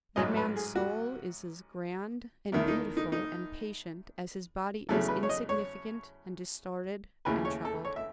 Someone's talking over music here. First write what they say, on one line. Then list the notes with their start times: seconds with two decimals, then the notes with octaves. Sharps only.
That man's soul is as grand and beautiful and patient as his body is insignificant and distorted and troubled.
0.16 A1 G#2 F#3 D#5
0.37 B4
0.56 G#4
0.75 F#4
2.52 E2 D#3 A3 E4
2.68 D#4
2.97 D#4
3.12 D#4
4.89 E2 C#3 F#3 A3 A4
5.08 B4
5.23 C#5
5.29 D#5
5.49 C#5
7.25 D#2 C#3 E3 A3 B4
7.45 C#5
7.65 A4
7.85 C#5
7.96 E5